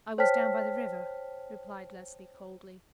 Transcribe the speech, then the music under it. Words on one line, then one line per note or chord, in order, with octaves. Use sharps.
"I was down by the river," replied Leslie coldly.
C5 C#5 G5 A5 F6 B6